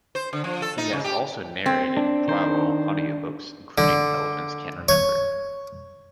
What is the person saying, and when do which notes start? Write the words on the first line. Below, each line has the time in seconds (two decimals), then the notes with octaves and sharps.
He has also narrated "Poirot" audiobooks, including "Elephants Can Remember".
0.15 C5
0.33 D3
0.44 F3
0.62 A4
0.78 D#4
0.93 C#3
1.04 G4
1.66 C4
1.97 D4
2.28 D#3 C5
3.78 D3
4.89 C#5